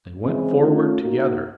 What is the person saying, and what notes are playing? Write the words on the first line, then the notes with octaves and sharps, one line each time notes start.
They went forward together.
C#3 E3 G#3 C4
A3 C#4 F4
A#3 D#4 F#4